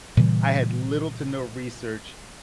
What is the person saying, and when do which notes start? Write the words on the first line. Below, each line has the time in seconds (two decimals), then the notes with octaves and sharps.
I had little to no research,
0.17 A#2 C#3 E3 G3